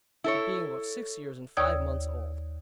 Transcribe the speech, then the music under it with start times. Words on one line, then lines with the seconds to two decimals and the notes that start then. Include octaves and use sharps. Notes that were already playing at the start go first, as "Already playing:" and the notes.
It being about six years, and five months old.
0.24 E4 A4 C#5
1.57 D#2 C#5 D5 D#6 E6 G#6